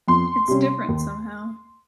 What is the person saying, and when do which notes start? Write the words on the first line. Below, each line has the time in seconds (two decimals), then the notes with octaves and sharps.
It's different somehow.
0.08 F2 C6
0.48 C3 G3 C#4
0.88 D#2